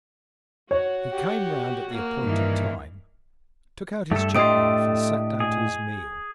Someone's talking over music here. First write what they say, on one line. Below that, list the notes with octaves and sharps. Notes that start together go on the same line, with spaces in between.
He came round at the appointed time, took out his jackknife, and sat down to his meal.
F#4 C#5
G4
A#3
G2 D#3 E3
G2 A3 A4
A2 A3 D4 G4 D#5 C6 D#6 D7
G#4